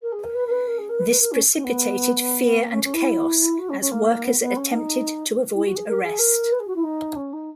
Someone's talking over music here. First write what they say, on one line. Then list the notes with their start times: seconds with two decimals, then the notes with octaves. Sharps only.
This precipitated fear and chaos as workers attempted to avoid arrest.
0.02 A#4
0.12 G#4
0.23 A#4
0.34 B4
0.46 A#4
0.51 B4
0.67 A#4
0.78 G#4
0.89 A#4
0.99 B4
1.09 B4
1.20 A#4
1.31 C#4
1.55 C#4
1.64 B3
2.61 A#3
2.72 C#4
2.84 C#4
2.93 E4
3.58 F#4
3.69 C#4
3.80 C#4
3.91 A#3
4.23 B3
4.40 B3
4.56 C#4
4.72 D#4
5.54 E4
5.64 F#4
5.75 G#4
5.87 A#4
6.02 G#4
6.18 A#4
6.52 B4
6.59 G#4
6.67 F#4
6.75 E4
6.83 D#4
7.15 C#4
7.33 D#4